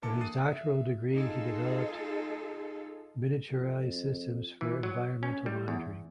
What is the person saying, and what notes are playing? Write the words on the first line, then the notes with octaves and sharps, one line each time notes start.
For his doctoral degree he developed miniaturised systems for environmental monitoring.
D3 E3 A#3 A5 D6 C#7
D#6 F#6 A6 C7 D#7
E5
D#4 F4 G#4 A4
F2
E3
F#3
C#4
G3
E2